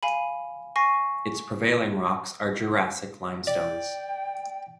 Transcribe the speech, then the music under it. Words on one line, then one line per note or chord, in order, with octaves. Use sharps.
Its prevailing rocks are Jurassic limestones.
F5 G#5 B5
G#5 C#6 A#6 C7
D5 G5